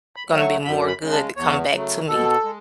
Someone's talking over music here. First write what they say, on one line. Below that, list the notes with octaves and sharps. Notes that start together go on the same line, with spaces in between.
gonna be more good that come back to me.
B5
F#3 A3
C#6
F#2 B5
B5
C#3 G#3
A5
E2 C#5
C#3 F#3 A3
B2 A4
G#3